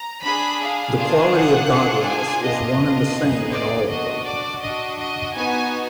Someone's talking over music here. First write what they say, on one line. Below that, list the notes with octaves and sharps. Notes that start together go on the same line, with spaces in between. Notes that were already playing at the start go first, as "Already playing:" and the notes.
The quality of godliness is one and the same in all of them.
Already playing: A#5
D4 G#4 B5
F5
D4 F4 G#4
F#5
D4 F4 G#4
G#5
B3 D4 F4 D#5
B3 D#4 G#4
D5
D4 F#4 D#5
D5
D4 F#4 D#5
D#5
B3 D#4 F#4 G#5